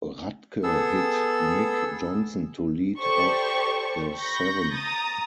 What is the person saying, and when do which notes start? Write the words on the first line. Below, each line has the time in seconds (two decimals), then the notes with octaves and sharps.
Radke hit Nick Johnson to lead off the seventh.
0.63 B3 G#4 A4 E6
2.99 G4 A4 C5 D5 C#6
4.14 B5 C#6 G6 A#6
4.72 A#5 D#6 A6